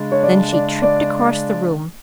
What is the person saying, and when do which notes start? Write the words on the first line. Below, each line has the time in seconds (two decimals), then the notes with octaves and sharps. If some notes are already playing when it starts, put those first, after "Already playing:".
Then she tripped across the room.
Already playing: C#3 G#3 D4
0.12 C#5
0.23 D5
0.53 D5
0.82 D5